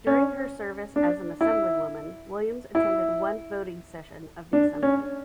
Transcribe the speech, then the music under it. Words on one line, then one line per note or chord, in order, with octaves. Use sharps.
During her service as an assemblywoman, Williams attended one voting session of the Assembly.
C#4
D4
E4
E4
D4
C#4